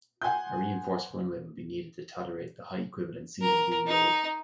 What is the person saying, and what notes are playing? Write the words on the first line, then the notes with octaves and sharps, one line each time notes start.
A reinforced runway will be needed to tolerate the high equivalent single wheel load.
F#5 G#5 C6 G6
A#4
D#4